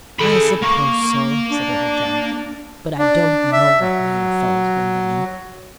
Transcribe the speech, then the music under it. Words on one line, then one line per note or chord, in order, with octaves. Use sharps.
"I suppose so," said Little John, "but I don't know what made our fellows bring them in."
G#4 A4 B5
A#3 C#6
D4
D4
E5
F#3